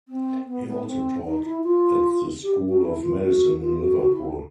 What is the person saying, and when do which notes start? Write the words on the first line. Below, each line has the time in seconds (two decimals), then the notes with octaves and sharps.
He also taught at the School of Medicine in Liverpool.
0.08 C4
0.46 B3
0.66 B3
0.86 C4
1.25 D#4
1.44 E4
1.64 F4
2.43 G4
2.68 F#4
2.82 E4
3.02 F4
3.20 F#4
3.61 F4
3.79 F#4
3.99 F#4
4.12 E4
4.25 D#4